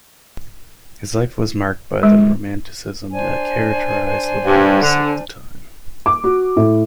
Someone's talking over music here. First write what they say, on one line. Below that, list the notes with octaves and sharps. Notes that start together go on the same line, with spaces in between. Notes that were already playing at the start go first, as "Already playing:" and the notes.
His life was marked by the romanticism that characterized liberals of the time.
G#3
D4 C5 G#5
G2
D3
D6
F#4
A2